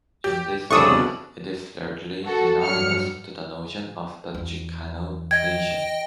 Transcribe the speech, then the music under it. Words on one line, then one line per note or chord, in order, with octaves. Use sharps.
In this sense it is largely synonymous to the notion of the Chicano nation.
G4
C2 F2 C#3 A3 D4 C#6 D#6 E6
B2
F#4 A4
G2 F#3 F6 C#7
E2
D#5 G5 G#6